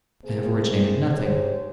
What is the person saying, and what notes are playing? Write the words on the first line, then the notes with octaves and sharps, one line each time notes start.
I have originated nothing.
C3 A#3 G#4 C5
D#4 G4 G#4 C5 C#5